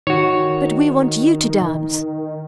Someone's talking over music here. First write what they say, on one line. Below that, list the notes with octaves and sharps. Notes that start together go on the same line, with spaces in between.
'But we want you to dance.'
D#3 F#4 C#5